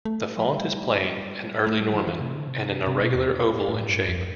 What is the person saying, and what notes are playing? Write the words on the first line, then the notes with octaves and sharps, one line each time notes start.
The font is plain and early Norman and an irregular oval in shape.
A3
F3
G3
A3
G3
E3
E3
C3
D3
C3
C3
B2
E2
A2
G2
F2